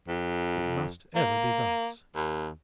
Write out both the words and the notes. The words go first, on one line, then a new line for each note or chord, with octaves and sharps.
It must ever be thus.
F2
A#3
D#2